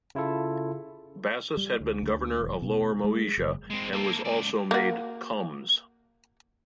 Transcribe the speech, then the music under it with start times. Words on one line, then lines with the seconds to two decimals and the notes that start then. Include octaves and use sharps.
Bassus had been Governor of Lower Moesia, and was also made "comes".
0.15 C#3 E4 F4 A4
1.57 G3
1.81 D2
2.03 D2
2.41 E1
2.62 B2
3.04 G#3
3.38 F#1
3.70 G#3 C4
3.93 A#3 A4
4.25 C#2 D5
4.71 A#3 F#4